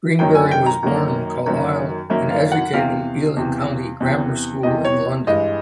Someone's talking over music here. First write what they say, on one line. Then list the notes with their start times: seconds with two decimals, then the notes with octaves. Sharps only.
Greenbury was born in Carlisle and educated at Ealing County Grammar School in London.
0.19 F#2 D#3 F#3 A#3 G5
0.35 G#5
0.51 G5
0.66 A#5
0.83 F#2 D#3 F#3 A#3
1.46 F#2 D#3 F#3 A#3
2.10 F#2 D#3 F#3 A#3 E5
2.31 F5
2.52 F#5
2.73 E2 C3 E3 F5
3.36 E2 C3 E3
4.00 E2 C3 E3
4.63 E2 C3 E3 D#5
4.85 C#5
5.27 G2 E3 G#3 D#5